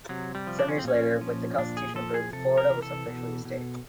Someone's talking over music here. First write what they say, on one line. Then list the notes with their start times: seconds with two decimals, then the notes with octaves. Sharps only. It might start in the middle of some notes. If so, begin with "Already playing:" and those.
Seven years later, with the constitution approved, Florida was officially a state.
0.09 C3 F#3
0.35 G3
0.47 F3
0.59 D4
0.68 C#4
0.78 C4
0.84 A#2 C#4
1.21 F3
1.58 A#2 D4
1.77 G#4
1.95 F3 A4
2.14 G#4
2.33 C3 A4
2.58 A#4
2.70 E3
2.82 A4
3.07 B2
3.45 B2